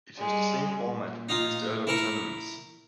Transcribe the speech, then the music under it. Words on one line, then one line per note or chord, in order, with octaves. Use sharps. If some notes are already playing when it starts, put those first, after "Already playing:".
It has the same format as the other tournaments.
G3 G#3
A#2
D#4 F4
E4 A#4 C#6